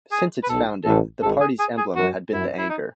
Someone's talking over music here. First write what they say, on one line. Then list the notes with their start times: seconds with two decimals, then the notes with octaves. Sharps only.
Since its founding, the party's emblem had been the anchor.
0.12 G#4
0.44 B4
0.49 B1 B2 A4
0.85 A1 A2 A4
1.22 G#1 G#2 A4
1.40 G#4
1.59 G#4
1.78 G#4
1.96 F#2 F#4
2.33 F#2 E4
2.58 E4
2.69 D#4